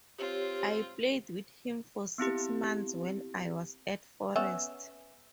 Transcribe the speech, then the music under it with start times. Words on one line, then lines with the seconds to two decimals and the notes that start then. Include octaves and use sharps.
I played with him for six months when I was at Forest.
0.19 C4 F4 G4 C#5
2.18 B3 C4 E4 G4
4.36 B3 C#4 E5